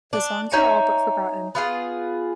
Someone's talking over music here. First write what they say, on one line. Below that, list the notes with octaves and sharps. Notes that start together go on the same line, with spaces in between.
The songs are all but forgotten.
D4
D#4 C#5 E5 G#5
B3 F4 G#4